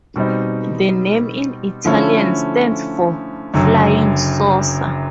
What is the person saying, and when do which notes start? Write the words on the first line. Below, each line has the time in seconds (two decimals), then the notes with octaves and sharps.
The name in Italian stands for "Flying Saucer".
0.16 B2 G3 C4 D#4
1.85 D3 F3 A3 C#4 E4
3.54 F#1 F#2 D3 F#3